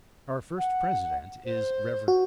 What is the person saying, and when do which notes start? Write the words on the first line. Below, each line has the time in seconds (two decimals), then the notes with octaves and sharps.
Our first president is Rev.
0.57 F#5
1.44 C5
2.08 F#4